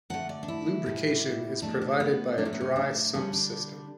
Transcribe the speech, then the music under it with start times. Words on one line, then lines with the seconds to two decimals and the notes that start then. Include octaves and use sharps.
Lubrication is provided by a dry sump system.
0.10 D3 A3 F#5
0.29 D5
0.43 D4
0.48 E4
0.86 A2 G3
1.62 B2 A3 D4
1.81 D4
2.00 B3
2.38 A2 F#3 A3 D4
2.45 C#4
2.53 B3
2.61 C#4
2.76 D4
3.14 D3 G3 C#4
3.33 D4